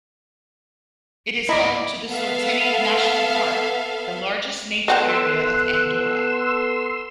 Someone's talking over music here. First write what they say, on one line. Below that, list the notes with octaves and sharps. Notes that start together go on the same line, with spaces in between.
It is home to the Sorteny National Park, the largest nature area of Andorra.
E4 D5 D#5 A#5 B5
B3 A4 E5 F5
B3 A4 D#5 F#5 G5 C6 E6 F#6